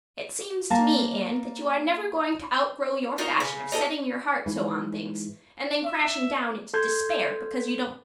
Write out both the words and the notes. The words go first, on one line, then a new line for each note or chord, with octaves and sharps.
"It seems to me, Anne, that you are never going to outgrow your fashion of setting your heart so on things and then crashing down into despair because you don't get them."
A#3 F5 A5 A#5
D#4 F4 F#4 A#4
C#3
D#4 G4 A4
G#2 E3
E5
A4 C6 G6 G#6